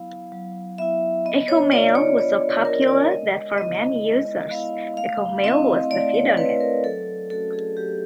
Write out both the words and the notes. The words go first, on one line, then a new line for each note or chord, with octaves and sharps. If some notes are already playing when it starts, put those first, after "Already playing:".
Echomail was so popular that for many users, Echomail "was" the FidoNet.
Already playing: F#3 B3 E4 F5
F#3
B3 E4 E5
B3 D#5
C#5
D4 F4 D5
C#5
B3 C#5
D4 F4 A#4
D5
G#3 D#5
B3 E4 D#5
G#3
B3 E4 F5
A3 F5
C4 E4 D#5
A3 D5
C#5
C4 E4 B4
A#4
F#3 A4
A3 C#4 F#4 A4
G#4
F#3 G4